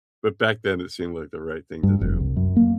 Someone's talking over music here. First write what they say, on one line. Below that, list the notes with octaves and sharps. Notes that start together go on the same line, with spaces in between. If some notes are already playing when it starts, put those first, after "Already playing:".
but back then, it seemed like the right thing to do.
G2
F1
C2
F#2
A#3